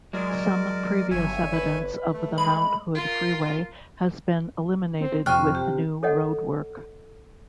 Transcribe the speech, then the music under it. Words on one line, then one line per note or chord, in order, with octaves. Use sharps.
Some previous evidence of the Mount Hood Freeway has been eliminated with new roadwork.
F#3 G#3 A#4 D5
G1 C#5 E5 G#5
B4
A3
G#3 B5
F4 A#4
C4
F2 C3 C4 G5 C#6 F6 F#6
G4
A4 C#5 D#5 F#5